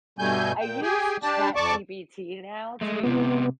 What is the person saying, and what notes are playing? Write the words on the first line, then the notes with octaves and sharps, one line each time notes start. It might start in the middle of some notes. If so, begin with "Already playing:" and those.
I use ChatGPT now to
G2 B2 G3 A3 G#5 G6
A#2 G5
G4 G#4 G5 G#5
D4 G4 D5 A5
F2 D5 A5 C#6 D6
G#3 A3
C3 G#3 B3